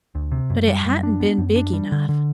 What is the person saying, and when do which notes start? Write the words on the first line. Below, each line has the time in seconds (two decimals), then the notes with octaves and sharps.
But it hadn't been big enough.
0.15 D2
0.32 C3
0.50 F#2
0.68 G3
0.85 F#2
1.03 D4
1.20 B3
1.38 F#2
1.56 D4
1.73 G3
1.92 D3
2.09 D3